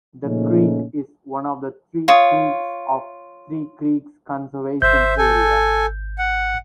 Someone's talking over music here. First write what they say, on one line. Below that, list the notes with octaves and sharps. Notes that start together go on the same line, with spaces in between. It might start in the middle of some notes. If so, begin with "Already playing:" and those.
The creek is one of the "three creeks" of Three Creeks Conservation Area.
A#2 C#3 F3 A3 C#4 D#4
F4 C#5 D#6
G#1 C5 E5 G6
A4 G#5
F#5